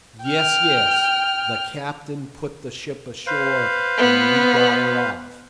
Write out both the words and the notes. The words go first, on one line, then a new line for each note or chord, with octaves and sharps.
"Yes, yes; the captain put the ship ashore and we got her off."
G5 F6
B4 C5 F5
B3